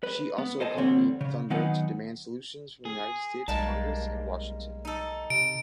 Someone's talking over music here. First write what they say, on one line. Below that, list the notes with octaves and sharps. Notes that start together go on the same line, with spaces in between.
She also accompanied Thunberg to demand solutions from the United States Congress in Washington.
B4
B3
A4 C5 D#5 G#5 A5
E2 D3 G3 C4 C#5
C#3
D#3 F#3 B3 D#4 F#5 G#5
G#4
B1 G3 G#3 A#3 A5
D#4 A4
C3 D7